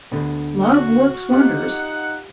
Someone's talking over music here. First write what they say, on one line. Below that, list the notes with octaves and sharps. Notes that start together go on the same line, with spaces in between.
Love works wonders.
D2 D3 B3
F#4
D#4 F4 G4 F#5